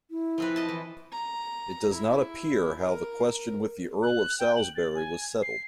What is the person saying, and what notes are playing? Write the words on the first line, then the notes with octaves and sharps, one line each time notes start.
It does not appear how the question with the Earl of Salisbury was settled.
E4
F3 C4 B4
D#5 A5
E3
A#5
E4
A#4
F#6
G5
F#7
A6
G#5
C7